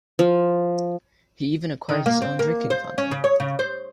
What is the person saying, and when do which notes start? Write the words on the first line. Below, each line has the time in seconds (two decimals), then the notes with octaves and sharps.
He even acquires his own drinking fountain.
0.19 F3
1.89 D#3
2.06 A#3
2.22 C4
2.39 A#3
2.70 C5
2.98 C#4
3.11 C#3
3.24 C#5
3.40 C#3
3.59 C5